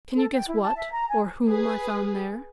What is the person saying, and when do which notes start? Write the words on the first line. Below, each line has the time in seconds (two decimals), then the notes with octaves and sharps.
Can you guess what, or whom, I found there?
0.16 A4
0.33 G5
0.48 E4
0.63 A5
0.76 E5
0.91 A#5
1.08 G#5
1.47 G#4 B4